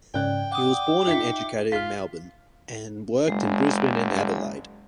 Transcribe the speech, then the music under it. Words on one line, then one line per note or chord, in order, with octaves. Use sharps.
He was born and educated in Melbourne and worked in Brisbane and Adelaide.
G#2 C#3 C#4 D5 G5 F#6
F#5 D6 D#6
D#4 F4 E5 B6 C#7
F4 F6 B6
F#1 G#3